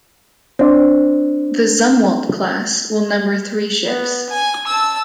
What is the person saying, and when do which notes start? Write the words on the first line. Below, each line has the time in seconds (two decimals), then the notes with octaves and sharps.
The "Zumwalt" class will number three ships.
0.59 C4 D4
3.86 B3
4.29 G#5
4.67 A5 E6